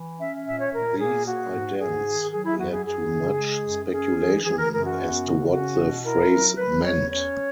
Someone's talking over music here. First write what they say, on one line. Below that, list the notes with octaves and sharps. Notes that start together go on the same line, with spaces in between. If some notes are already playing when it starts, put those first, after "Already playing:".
These idents led to much speculation as to what the phrase meant.
Already playing: E3
C#4 E5
A#2 E5
C#5
A#2 A#4
A#3 G#4
A#3 F#4
G#2
G#2 G#4
D#3
F#3 G#4
E4
F#2 F#4
G#4
F#2 G#4
C#3
G#3
F#2
C#4 G#4
E3
E3 G#4
A#4
F#2 A#4
F#4
B3
C#3
C#4 F#4
B2
E4 A#4
F#3
F#3 B4
E2 C#5
C#4 C#5